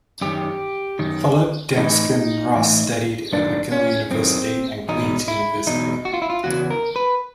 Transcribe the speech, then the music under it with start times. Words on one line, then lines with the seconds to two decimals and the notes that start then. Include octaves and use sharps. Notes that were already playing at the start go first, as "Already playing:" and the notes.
Philip Dansken Ross studied at McGill University and Queen's University.
0.21 F#2 D#3 G4
0.99 F#2 D#3
1.77 A2 E3 D#4
2.55 A2 E3
3.33 F#2 D#3 D4
3.72 C#4
4.11 F#2 D#3 C4
4.89 E2 B2 D#4
5.28 E4
5.67 E2 B2 D#4
6.05 F#4
6.13 F4
6.22 E4
6.30 F4
6.44 E2 C#3 E3 F#4
6.70 A#4
6.96 B4